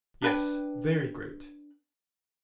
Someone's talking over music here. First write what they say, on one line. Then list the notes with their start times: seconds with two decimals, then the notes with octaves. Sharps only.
Yes, very great.
0.22 D4 B4 G5